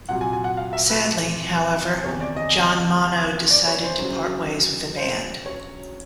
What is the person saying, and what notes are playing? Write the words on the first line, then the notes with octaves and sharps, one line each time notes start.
Sadly, however, John Mono decided to part ways with the band.
C2 A#2 F#3 F#5
G#5
G#5
F#5
F5
E5
B4
B4
B4
C5
F#1 E2 C3 D#3 C#5
D5
D#5
D5
C#5
C5
D2 C#3 F#3
C5
C#5